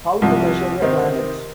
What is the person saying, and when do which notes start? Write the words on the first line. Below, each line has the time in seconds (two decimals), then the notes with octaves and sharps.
How to Measure a Planet?
0.22 C2 C3 F3
0.82 C3 D#3 C4 D#4 C5